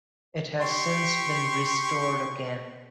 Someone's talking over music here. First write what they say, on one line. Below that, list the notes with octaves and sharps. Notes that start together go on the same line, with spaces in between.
It has since been restored again.
G4 C6 C#6